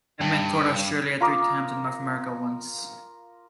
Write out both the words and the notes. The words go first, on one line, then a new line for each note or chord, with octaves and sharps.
Emmett toured Australia three times and North America once.
G2
F4 A#4 D6 D#6